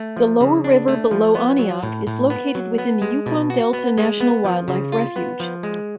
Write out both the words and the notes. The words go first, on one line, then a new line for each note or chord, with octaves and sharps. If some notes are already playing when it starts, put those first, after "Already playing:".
The lower river below Aniak is located within the Yukon Delta National Wildlife Refuge.
Already playing: A3
F3
C#3
D4
A3
F3
B3
F#3
A2
A2
B3
F#3
B3
G#3
B2
F#4
B3
G#3
B3
F3
C#3
F4
B3
F3
G#3